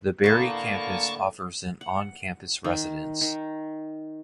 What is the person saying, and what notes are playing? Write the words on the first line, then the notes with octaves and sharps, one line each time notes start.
The Barrie Campus offers an on-campus residence.
A2 D3 A#3 B3 A5 C#6
F#5
D#3
D#3